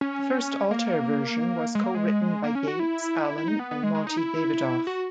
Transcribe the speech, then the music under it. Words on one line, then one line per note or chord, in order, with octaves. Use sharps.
The first Altair version was co-written by Gates, Allen, and Monte Davidoff.
C#4
A#3
G#3
A#3
G#3
A#3
C#4
F#4
E4
E4
D#4
B3
B3
G#3
G#3
D#4
E4
F#4